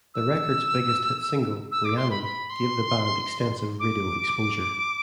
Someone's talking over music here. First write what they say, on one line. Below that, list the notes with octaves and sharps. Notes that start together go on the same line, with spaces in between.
The record's biggest hit single, "Rhiannon", gave the band extensive radio exposure.
E6
E6
D6
C6
B5
B5
C6
D6